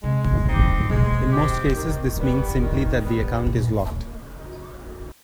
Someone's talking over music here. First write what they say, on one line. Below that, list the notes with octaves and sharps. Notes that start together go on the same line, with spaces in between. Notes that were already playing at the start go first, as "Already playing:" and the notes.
In most cases, this means simply that the account is locked.
C3 G#3
C4 D#4 G4
B2 G#3
C4 D#4 G4
D#3
G3 B3
D#3
G3 B3
A#2